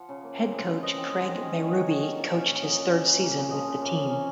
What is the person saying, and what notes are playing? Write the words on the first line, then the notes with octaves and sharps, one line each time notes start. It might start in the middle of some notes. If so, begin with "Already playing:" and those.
Head coach Craig Berube coached his third season with the team.
Already playing: F3 F#5
C#3
A#3
C4
G#3
C#3
F3 D#5
C4
G#3
D#3
C#4
D#3
F#3 C#5
D#3
C#4
A#2
C#4
A#2
F#3 D#5
A#2
C#4
C#3
A#3
C#3
F3 D#5
C#3
A#3
C#3
C#4